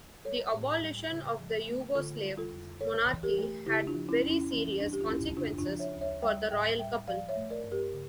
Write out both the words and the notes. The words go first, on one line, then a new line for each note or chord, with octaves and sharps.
The abolition of the Yugoslav monarchy had very serious consequences for the royal couple.
G3 A4 C#5
A2
G3
C#3
F3
A3
D3 F4 A4
G3
F4 A4
F2
C#3 A4 C#5
E3
G4 A#4
A3
C#3 E4 G4
D4 F4
F3
C#4 E4
F2
C#4 E4
E3 C#4
G3 D4
G4
F4
F2 C#4 E4
C#3 D4 F4
D4 F4
F3
C#5 E5
D2
C#5 E5
G3 E5 G5
A2 E5 G5
G3 E5 G5
F3 D5 F5
C#5 E5
A3
A#4 D5
G2
G4 A#4
C#3